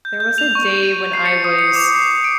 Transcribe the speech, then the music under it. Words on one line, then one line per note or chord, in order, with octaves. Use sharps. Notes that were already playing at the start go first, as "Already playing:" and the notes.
There was a day when I was
G6
G6
F7
C#6
D#7
C7
C#7
D#6
C#7
D6
C7
D7